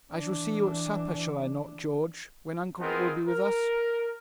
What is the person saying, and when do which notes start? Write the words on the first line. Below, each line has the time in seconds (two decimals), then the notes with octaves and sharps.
'I shall see you at supper, shall I not, George, when Uncle will be with us?
0.13 E3 D4
2.80 B3 C4 D#4 F4 G#4 A#4
3.27 A#4